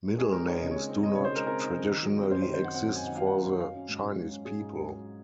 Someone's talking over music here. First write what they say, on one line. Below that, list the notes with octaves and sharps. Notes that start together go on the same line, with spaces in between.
Middle names do not traditionally exist for the Chinese people.
G#3 G#4
C4 A#4
D#4 C#5
C#3 D#5
G#3 C#5
C4
D#4 D#5
C#3 C#5
C5
G#3 A#4
C4 A#4
D#4
C#3
D#3
F#3
C4
F#2 C5
C5
D#3
C5
F#3 F#5
C4 F#5
F#2
G#5
D#3 F#5
F#3 F5
C4 F#5
F#2
F#3 F5
C#4
G#2
G#2
F#3
C#4
G#2 G#4
G#2
F#3
C#4